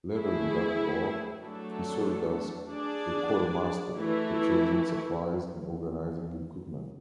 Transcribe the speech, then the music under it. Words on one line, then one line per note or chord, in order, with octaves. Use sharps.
Later in that war, he served as a quartermaster, purchasing supplies and organizing equipment.
A3 E4 G#4
F#3 A3 D4 A4
D4 G#4 D5
E3 A3 E4